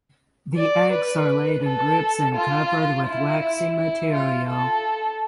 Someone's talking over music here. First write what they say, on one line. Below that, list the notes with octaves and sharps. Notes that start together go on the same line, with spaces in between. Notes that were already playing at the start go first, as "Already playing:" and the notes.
The eggs are laid in groups and covered with waxy material.
D5
B4
A4
F4
E4
E4
F4
A4